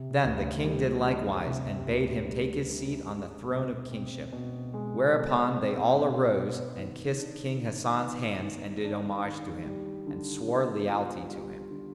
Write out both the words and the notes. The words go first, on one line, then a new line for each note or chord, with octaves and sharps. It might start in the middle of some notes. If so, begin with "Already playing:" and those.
Then the King did likewise and bade him take his seat on the throne of kingship; whereupon they all arose and kissed King Hasan's hands and did homage to him, and swore lealty to him.
Already playing: C3
D2
G3
D4
C3
D2
G3
D4
G#3
B2
C4
B2
G#3
B2
C4
B2
B3
D#3
D4
D#3
B3
D#3
D4
D#3
G3
D3
B3
F4
G3
D3